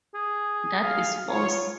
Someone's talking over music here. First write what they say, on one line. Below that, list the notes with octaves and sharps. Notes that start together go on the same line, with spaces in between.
That is force.
G#4
F5
F4 C#5